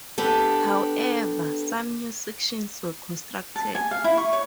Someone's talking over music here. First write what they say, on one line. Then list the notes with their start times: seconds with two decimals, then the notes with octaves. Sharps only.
However, some new sections were constructed.
0.18 B3 D4 G4 A4
3.56 A5
3.75 G#5
3.91 F5
4.04 E4
4.17 C#6
4.33 C#5